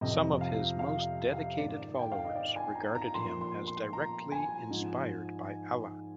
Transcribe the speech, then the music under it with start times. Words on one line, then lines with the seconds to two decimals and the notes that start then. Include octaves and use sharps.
Some of his most dedicated followers regarded him as directly inspired by Allah.
0.01 F2 C3 F3 D#5
0.41 F5
0.79 F5
1.32 F5
1.58 G#2 D#3 D5
1.99 G5
2.12 F5
2.24 D#5
2.35 D5
2.56 G#5
2.75 A#5
2.95 A#5
3.14 A#2 F3 C6
3.41 C6
3.67 C6
3.93 A#5
4.32 G#5
4.70 G#2 F3